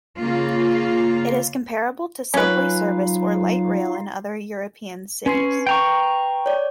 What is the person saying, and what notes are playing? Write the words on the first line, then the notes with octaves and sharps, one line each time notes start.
It is comparable to subway service or light rail in other European cities.
C#3 A#3 F4
F#3 C#4 D#4 F4 B4 F5
C#4 B4 C6 C7
G5 A#5 C#6
C#5 D5